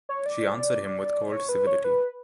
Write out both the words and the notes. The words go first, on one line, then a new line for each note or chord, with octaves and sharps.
She answered him with cold civility.
C#5
D5
C#5
B4
C#5
B4